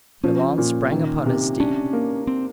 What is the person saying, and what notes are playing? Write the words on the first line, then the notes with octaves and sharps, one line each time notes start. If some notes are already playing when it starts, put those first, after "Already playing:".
Milon sprang upon his steed.
F3 C#4
A#2
D#3
C3
C#4 D4
A#3
C4